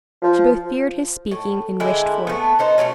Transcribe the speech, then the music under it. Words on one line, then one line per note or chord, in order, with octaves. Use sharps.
She both feared his speaking and wished for it.
F3
A2
D3 G#3 E4 G5
A3 B3
B3 D#4 C5
B2 G3 A3 C#4